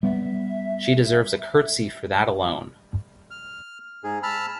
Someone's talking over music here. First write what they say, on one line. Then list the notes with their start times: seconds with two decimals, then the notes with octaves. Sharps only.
She deserves a curtsy for that alone.
0.03 G3 B3 E5
3.31 F6
4.04 G#2 G#4
4.23 A5 B5 E6 F6